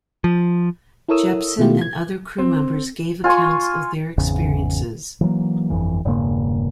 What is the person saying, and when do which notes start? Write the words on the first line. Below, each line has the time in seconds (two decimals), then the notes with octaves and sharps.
Jeppson and other crew members gave accounts of their experiences.
0.24 F3
1.09 E4 A4 A#4 C#5 D#6 E6
1.59 B2 D#3 A3 E4 F4 G4
1.81 G#6
2.38 C4
3.24 F4 G#5 C6 C#6
4.18 G#1 E2 C#3
5.21 E3 F#3 A#3
5.70 G1 F2 E3
6.05 E1 G2 C#3 A#3